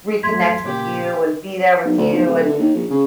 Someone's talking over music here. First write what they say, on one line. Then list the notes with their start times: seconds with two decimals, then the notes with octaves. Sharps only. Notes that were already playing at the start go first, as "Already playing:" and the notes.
reconnect with you, and be there with you, and
0.23 G#1 E2 F#3 A3 C6 G#6 B6
0.65 A#2 C#3 A#3 G4
1.85 B1
1.98 D2
2.13 B1
2.26 D1
2.46 D3
2.59 D#2
2.75 A#1
2.91 C#3